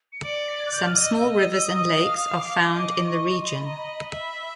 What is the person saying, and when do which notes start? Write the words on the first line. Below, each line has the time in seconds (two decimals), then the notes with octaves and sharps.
Some small rivers and lakes are found in the region.
0.12 C#7
0.24 D5 D7
0.36 C#7
0.48 A6
0.60 G#6
0.66 F#6
0.72 G6
0.83 F6
0.95 D#5 E6
1.30 D#5
1.65 D#6
2.01 F5
2.36 D6
2.72 D#5
3.07 C#6
3.42 D#5 C6
3.54 B5
3.66 A#5
3.77 B5
4.12 E5